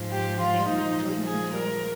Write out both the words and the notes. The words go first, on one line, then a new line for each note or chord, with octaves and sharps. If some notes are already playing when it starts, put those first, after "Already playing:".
It is now the Glencliff Home.
Already playing: G#2 F3 G#3
G4
F4
A#2 F3 G#3 D#4
G#4
A#4